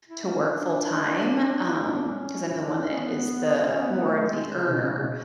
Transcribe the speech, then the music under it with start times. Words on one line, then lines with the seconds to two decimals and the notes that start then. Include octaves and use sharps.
to work full time, um, 'cause I'm the one that is the more of the earner,
0.08 E4
0.24 C#4
0.40 D4
1.67 E4
1.81 C#4
1.88 D4
2.10 C#4
2.47 E4
2.63 D4
2.79 C#4
2.94 B3
3.58 C#4
3.80 B3
4.01 A3
4.22 G#3
4.54 C#3
4.70 B2
4.85 C#3
5.01 B2